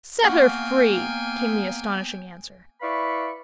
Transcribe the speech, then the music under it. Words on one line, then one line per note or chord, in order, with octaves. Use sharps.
"Set her free," came the astonishing answer.
A#3 B3 F#4 F5 G5 G#5
E4 B4 D5 F5 B5 C#6